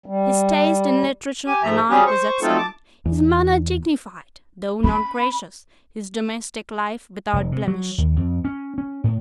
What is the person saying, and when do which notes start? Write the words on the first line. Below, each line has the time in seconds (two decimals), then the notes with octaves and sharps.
His taste in literature and art was excellent, his manner dignified, though not gracious, his domestic life without blemish.
0.06 G3
1.47 G4 G#5
1.63 G#2 F3 E5 A#5
1.90 F#3 G3 C#4 G4 G#4
2.07 C5 C#6
2.42 F#3 A3 C4 D#4 F4 A4
2.58 A5 D6
3.05 E2
4.84 C#4 B5
7.33 F1
7.52 C3
7.67 F#3
7.98 D#2
8.16 F2
8.45 C#4
8.78 C#4
9.04 A2